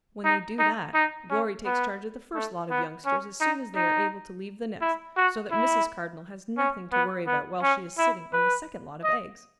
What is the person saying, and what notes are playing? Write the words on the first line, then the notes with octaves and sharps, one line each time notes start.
When they do that, Glory takes charge of the first lot of youngsters as soon as they are able to leave the nest so that Mrs. Cardinal has nothing to worry about while she is sitting on the second lot of eggs.
D#4
D#4
D#4
C#4
B3
A3
B3
C#4
D#4
D#4
E4
F#4
E4
C#4
B3
B3
C#4
E4
B4
D#5